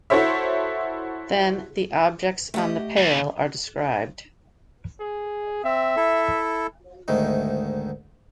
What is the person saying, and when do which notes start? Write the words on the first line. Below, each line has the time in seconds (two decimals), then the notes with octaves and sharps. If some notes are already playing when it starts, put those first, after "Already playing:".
Then the objects on the pale are described.
0.10 E4 F#4 A4 C5 C#5 E5
2.54 A3 G4 D#5
2.97 D#2
5.00 G#4
5.64 C4 E5
5.96 E4 A4
7.08 D2 G#2 D#3 A3